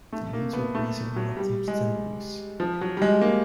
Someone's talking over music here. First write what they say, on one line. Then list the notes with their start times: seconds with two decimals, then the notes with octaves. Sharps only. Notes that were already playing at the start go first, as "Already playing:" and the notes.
The leaves are basal and often stem leaves.
0.13 A3
0.33 A#3
0.53 B3
0.75 A3
1.16 F#3
1.37 G3
1.68 G#3
2.60 F3
2.81 F#3
2.97 G3
3.02 G#3
3.21 A#3